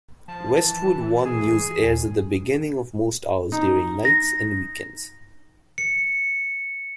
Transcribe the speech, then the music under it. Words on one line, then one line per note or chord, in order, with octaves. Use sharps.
Westwood One News airs at the beginning of most hours during nights and weekends.
F3 A5
E3
G#4 G#5
D#2
D#4
A#6
C#7